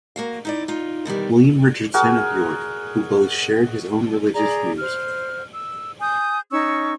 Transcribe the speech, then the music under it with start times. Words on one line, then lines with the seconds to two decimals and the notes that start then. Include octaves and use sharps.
William Richardson of York, who both shared his own religious views.
0.16 A#3 F#4 F5
0.45 D#4 E4 D5
0.68 D#4 F4
1.05 B2 D#3 E3 G3
1.94 F#4 G#4 A#4
4.34 G#4 D5 A#5
4.79 C5 F6
5.53 E6
6.01 G#5 D#6 G6
6.52 C#4 D#4 C#6 E6